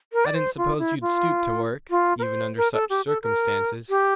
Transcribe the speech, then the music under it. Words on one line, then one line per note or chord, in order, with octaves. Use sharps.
I didn't suppose you'd stoop to work, even under such circumstances.
A#4
D5
C5
F4
E4
F4
F4
A#4
C5
A#4
A4
G4
A4
A#4
G4